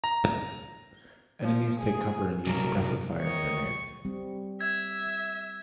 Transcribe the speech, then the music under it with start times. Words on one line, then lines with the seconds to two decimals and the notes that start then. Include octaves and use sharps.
Enemies take cover and use suppressive fire and grenades.
0.04 A#5
1.43 F3
1.79 G#4
2.47 C2 F#3 A#4
3.22 D#3 C#5 D#5 C#6
4.05 G3 C4
4.61 E5 G#6